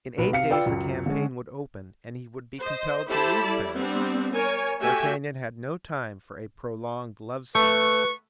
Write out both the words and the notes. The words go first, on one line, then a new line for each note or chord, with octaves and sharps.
In eight days the campaign would open, and he would be compelled to leave Paris; d'Artagnan had no time for a prolonged love siege.
B1 B4
C3 F5 C#7
F4 B4 D5 G5 E6
C#2 F#2
D3 G#3 C#4
C5 D#5
E4 G4 A4 C5 A5 B5
G3 E4 D5
G3 B3 C4 D4
A#4 C#5 G#5
A3 F#4 G4 E5 G5 G#5
A3 B4 C#6